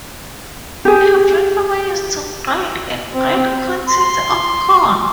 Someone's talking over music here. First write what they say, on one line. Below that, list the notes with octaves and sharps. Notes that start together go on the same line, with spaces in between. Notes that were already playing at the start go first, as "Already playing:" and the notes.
Every farmer used to grind a great quantity of corn.
G4 G#4
C4
C6